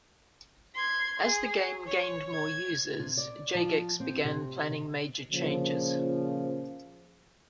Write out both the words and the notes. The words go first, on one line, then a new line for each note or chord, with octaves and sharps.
As the game gained more users, Jagex began planning major changes.
C6 G#6
G#4
C#5
G#6
C3
D5
F3
C4
C3
D#5
A#2 C#3 F3